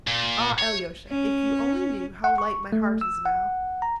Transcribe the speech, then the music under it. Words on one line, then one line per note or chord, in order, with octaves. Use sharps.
Ah, Alyosha, if you only knew how light my heart is now!
A#2
C#5
C#4
F#5
C#6
A3
E6
F#5
A#5